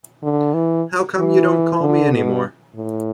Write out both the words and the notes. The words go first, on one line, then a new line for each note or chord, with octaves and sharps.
How Come U Don't Call Me Anymore?
D3
E3
E3
D3
B2
A2